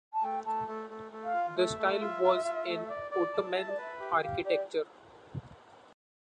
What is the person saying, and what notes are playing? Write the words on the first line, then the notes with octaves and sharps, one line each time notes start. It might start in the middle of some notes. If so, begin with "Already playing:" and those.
The style was in Ottoman architecture.
A5
A3 G5
A3 A5
A3
A3
A3
F5
F4
A3 E5
A3
F4
F4
F4
A3
D5
D5
A5
E5 A5
D5
B4 E5
G4
G4 F5
G4 D5